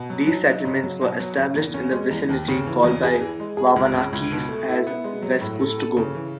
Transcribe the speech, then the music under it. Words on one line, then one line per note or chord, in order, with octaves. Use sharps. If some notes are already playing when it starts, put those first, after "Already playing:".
These settlements were established in the vicinity, called by the Wabanakis, as "Wescustogo".
Already playing: B2
F#3
F#3
D#4
C#3
F#3
B2
F#3
C#3
E2
C#4
G#3
E2
D#2
C#3
E3
E2
G#4
E3
G#3
G#4
C#2
C#3
C#2
B2
A3
E4
B3
G#3
F#3
A2
A4
A4
C#3
E3